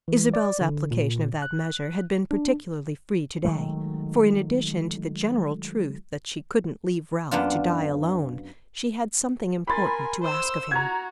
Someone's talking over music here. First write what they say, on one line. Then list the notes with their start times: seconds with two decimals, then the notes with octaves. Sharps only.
Isabel's application of that measure had been particularly free to-day, for in addition to the general truth that she couldn't leave Ralph to die alone she had something important to ask of him.
0.08 E3
0.34 D5
0.61 D3
0.91 A#2
1.42 F#6
2.31 D4
3.45 D#3 F#3 G#3 A3
7.31 F#2 A#3 B3 D4 F4
9.67 A#4 G#5 B5 C6 A6
10.22 C5 E6
10.71 F#4 A#5 G#6